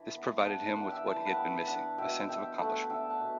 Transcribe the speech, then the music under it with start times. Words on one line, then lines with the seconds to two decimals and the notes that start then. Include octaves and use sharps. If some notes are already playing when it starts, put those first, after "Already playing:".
This provided him with what he had been missing; a sense of accomplishment.
Already playing: E3 D4
0.15 B3
0.45 D4 F#5 A5
0.76 E3 D5 F#5
0.91 E5 G5
1.06 E3 A5
1.17 B5
1.26 F#5 A5
1.36 B3 G5 B5
1.67 D4 F#5 A5
1.98 B2 E5 G5
2.29 B2 E5 G5
2.59 A3 F#5 A5
2.89 D4 E5 G5
3.10 F#5 A5
3.20 B2